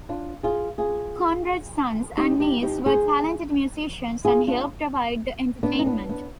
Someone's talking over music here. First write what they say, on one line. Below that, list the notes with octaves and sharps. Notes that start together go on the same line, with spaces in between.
Conrad's sons and niece were talented musicians and helped provide the entertainment.
D4 F4
F4 G#4
F4 G#4
D#4 G4
D#4 G4
D#4 G4
G#4 C5
F4 G#4
D4 F4
B3 D4
D#4
B3 D4
B3 D4